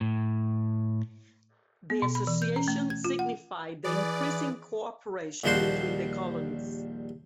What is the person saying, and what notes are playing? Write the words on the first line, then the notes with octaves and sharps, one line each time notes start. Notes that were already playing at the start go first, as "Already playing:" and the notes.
The Association signified the increasing cooperation between the colonies.
A2
B3
B2
B5
E3
G6
C#4
A3
G#6
F4
F#5
E3 G#4 B4 D5
A#1 D#2 F3 G3 F#4 C5